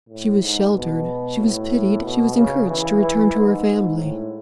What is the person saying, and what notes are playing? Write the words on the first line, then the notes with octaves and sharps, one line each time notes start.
She was sheltered; she was pitied; she was encouraged to return to her family.
A2
G#2
B2
A2
B2
C#3
E3
E3
G#2
A2